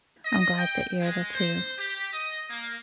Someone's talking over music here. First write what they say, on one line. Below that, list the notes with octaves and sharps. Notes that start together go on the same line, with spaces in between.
I'm glad that you're able to
D#5
G5
G#3
C5
G4
D#5
A#3